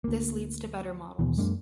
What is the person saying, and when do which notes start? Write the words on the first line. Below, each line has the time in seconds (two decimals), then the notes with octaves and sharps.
This leads to better models.
0.04 D2 A#3
1.19 D#2 B2 E3
1.37 F#2 G#3 A#3 D4